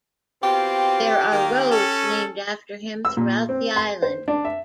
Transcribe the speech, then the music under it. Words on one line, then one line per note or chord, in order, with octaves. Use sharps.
There are roads named after him throughout the island.
B2 C4 F4 G4
D#3 A#3
C#4 A4
E6
A#2
C4
C6
C5
D4
E5